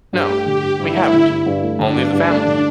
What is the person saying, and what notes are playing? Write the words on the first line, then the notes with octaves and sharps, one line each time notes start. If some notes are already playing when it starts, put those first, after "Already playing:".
No, we haven't, only the family.
G2 G4
A3
D3 G4
G2
G2 E4
A3
D3
G2
G2
A3
D3 D4
G2
G2 D4
A3
D3